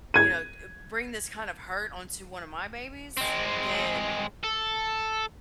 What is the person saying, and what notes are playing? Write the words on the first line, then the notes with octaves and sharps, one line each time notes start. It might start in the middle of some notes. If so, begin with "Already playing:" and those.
you know, d bring this kind of hurt onto one of my babies, then,
G#6 D#7
G#3 C4
A4